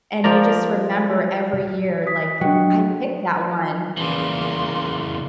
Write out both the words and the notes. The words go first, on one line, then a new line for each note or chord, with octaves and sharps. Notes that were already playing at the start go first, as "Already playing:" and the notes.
and you just remember every year like, "I picked that one."
F3 A#4 D5 A#5
D#6 B6
F#3 D4 D#5 G5
E2 C#3 E3 A#3 C6